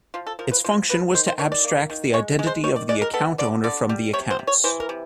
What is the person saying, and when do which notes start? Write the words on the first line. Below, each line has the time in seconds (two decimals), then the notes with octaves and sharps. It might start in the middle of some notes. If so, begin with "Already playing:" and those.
Its function was to abstract the identity of the account owner from the accounts.
0.14 F3 F4
0.27 A4
0.39 F3 A#4
0.51 B4
0.64 F3 F4
0.89 F3 B4
1.14 D#3 C5
1.27 C5
1.39 D#3 C#5
1.52 D5
1.65 A#3
1.90 D#3
2.13 G#3 C#5
2.39 G#3
2.47 C5
2.64 D#3 C#5
2.76 D5
2.89 G#3 D5
3.02 A#4
3.14 B3 A4
3.38 D3 D5
3.64 D3 D5
3.89 G3
4.13 C3 C#5
4.30 C5
4.39 C3
4.47 C#5
4.64 E3 C5
4.80 A#4
4.89 C3